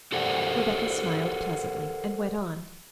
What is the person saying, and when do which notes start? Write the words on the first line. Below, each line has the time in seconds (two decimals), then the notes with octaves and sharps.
Rebecca smiled pleasantly, and went on.
0.12 G4 A4 A#4 C5 D5 F#5